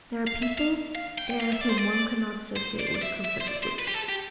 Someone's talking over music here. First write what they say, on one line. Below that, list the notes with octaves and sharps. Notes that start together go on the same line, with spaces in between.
There are people there whom one could not associate with comfortably.
F5
E5
F5
F5
G5
G5
F5
E5
D5
C5
D5
C5
D5
C5
D5
E5
E5
C5
D5
C5
B4
G4
A4
G4